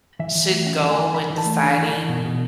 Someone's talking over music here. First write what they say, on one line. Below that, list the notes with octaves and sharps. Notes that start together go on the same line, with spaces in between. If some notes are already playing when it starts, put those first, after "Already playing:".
should go when deciding
E3 E5
E3
A3
C#4 F#5
E3
G#5
E3
E3 B5
E3
A5
A3
D4
E3
E3
B2
B2